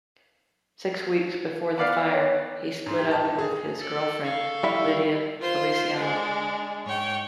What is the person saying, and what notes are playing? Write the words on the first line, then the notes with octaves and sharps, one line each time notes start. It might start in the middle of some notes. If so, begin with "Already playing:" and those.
Six weeks before the fire, he split up with his girlfriend, Lydia Feliciano.
B3 D5 F5
C#5
G#2
G4
A5
G2
G#4
A4 D5
A4 F5 C#6
G3 E4 E5
F4 C5 C6
G#3 D4
G#2 C#5 G5